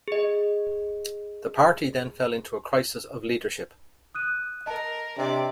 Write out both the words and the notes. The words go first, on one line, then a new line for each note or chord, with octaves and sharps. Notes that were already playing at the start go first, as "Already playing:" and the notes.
The party then fell into a crisis of leadership.
G#4 D#5
D#6 F#6 D#7
A#4 D#5 A5
C3 D4 D5 D#5